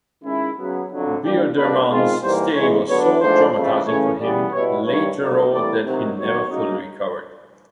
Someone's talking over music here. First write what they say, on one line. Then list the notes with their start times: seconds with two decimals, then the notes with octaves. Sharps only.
Bierdermann's stay was so traumatizing for him later wrote that he never fully recovered.
0.24 D#3 G#3 C#4 E4
0.57 C#3 F#3 B3
0.90 F2 D3 F#3
1.23 E3 G3 A#3 D4 F4 G4
1.55 B2 G3 A#3 D4 B4
1.89 D#3 G#3 C4 F4
2.22 G#2 E3 G3 A#3 C5
2.55 C#3 E3 G#3 C#5
2.87 D3 F#3 B3 D4 C#5
3.20 G#2 F3 A3 D4 C5
3.53 F2 C#3 E3 A3
3.86 C#3 E3 A3 C#4 C#5
4.19 C#3 E3 G3 B3 D5
4.52 B2 G3 B3 E4 C#5
4.85 G2 D#3 G3 C#5
5.18 G2 D3 F#3 A#3 D#4
5.51 A2 E3 G3 A#3 D5
5.84 C3 D#3 F#3
6.17 D#3 F#3 B3 C#5
6.50 F#2 C#3 F#3 A#3 D#4